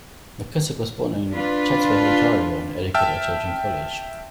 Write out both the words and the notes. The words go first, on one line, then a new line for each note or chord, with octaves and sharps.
McKessock was born in Chatsworth, Ontario and educated at Georgian College.
D4 F4 B4
E5 G5 A5 E6 F6